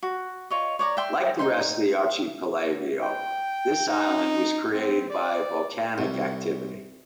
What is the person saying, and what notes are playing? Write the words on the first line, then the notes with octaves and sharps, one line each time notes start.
Like the rest of the archipelago, the island was created by volcanic activity.
F#4
F4 C#5 D#5
C#5 D5 A#5
E5 G5 C6
D#4 G5 C6
G5
D#4
C4
D5
C2